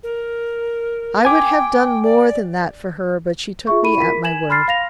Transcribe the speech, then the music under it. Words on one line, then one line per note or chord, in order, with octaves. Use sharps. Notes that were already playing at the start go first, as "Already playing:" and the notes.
I would have done more than that for her, but she took me at my word.
A#4
G5 G#5 D6
D5
F4 G#4 E5 C#6
E4 B5 D#7
A#4 B6
G#5 G#6 E7 F#7
B5 C6 F6 A6 C7
F5 A#6 F7